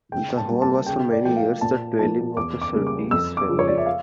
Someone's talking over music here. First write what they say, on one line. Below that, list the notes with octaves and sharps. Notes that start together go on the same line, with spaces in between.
The Hall was for many years the dwelling of the Surtees family.
C#3 G5
A5
G3 A#3
A5
C#3 G5
D5
F3 A3 G5
F5
A#2 A5
F3 A#3 A5
E2 D6
D6
C#3 G3 A#3
D6
F2 E6
D6
C#3 F3
C#5
D5
E5
F5